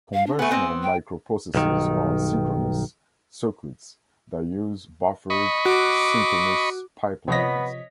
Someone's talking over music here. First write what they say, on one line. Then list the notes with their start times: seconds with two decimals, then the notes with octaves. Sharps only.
Conventional microprocessors are synchronous circuits that use buffered, synchronous pipelines.
0.14 F5
0.27 D4
0.39 A3 B3 G#5
0.51 B3 C4
0.83 G5
1.55 B1 G2 D#3
5.30 D#5 B5 C#6
5.66 F#4 D6
7.28 C3 F3 B3 C#5 D#5 A#6 B6